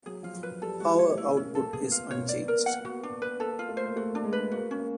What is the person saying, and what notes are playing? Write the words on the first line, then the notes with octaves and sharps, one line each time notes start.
Power output is unchanged.
F#3 G#4
F3 F4
F#3
B4
G3 A4
G#3 F#4
C#5
A3
A#3 E4
C#4
A#3
A4
B3 G#4
F4
A#3
C#5
B3 D5
A#4
A#3
F#5
B3 F#4
D4
B4
A#3 A4
F4
A3
C5
A#3
A3 F#4
D4
G#3
B4
A#3 F#4
C#4
A#3